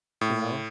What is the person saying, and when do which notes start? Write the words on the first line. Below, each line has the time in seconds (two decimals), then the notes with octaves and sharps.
you know?
0.21 A2